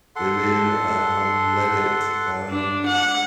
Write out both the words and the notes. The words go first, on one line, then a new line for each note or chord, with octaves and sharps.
and then, um, let it, um
A4 F#5 C6
D4
F#5